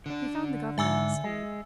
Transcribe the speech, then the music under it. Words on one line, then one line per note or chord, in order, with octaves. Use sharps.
He found the governor on his feet.
D3 D4
G#2 E5 G#5 E6
G#3